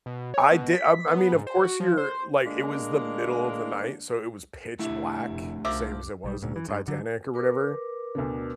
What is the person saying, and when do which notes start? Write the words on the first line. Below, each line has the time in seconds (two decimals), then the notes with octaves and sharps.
I did I I mean, of course, you're like it was the middle of the night, so it was pitch black, same as it was in the Titanic or whatever,
0.06 B2
0.34 C#5
0.52 B2
0.75 B6
1.08 B3
1.33 G#2
1.47 C5
1.63 F#4
1.80 F3
1.97 C5
2.45 D3 G#3 A#3 D4
4.79 A3 D4 E4 G4
5.27 F1
5.65 C2 F3 A#4 E5 D6
6.24 B1 E3 G3
6.43 D2 A#2
6.56 E3
6.69 G2
6.88 D3 F#3
7.34 A#4 B4 D6
8.15 D2 B2 D3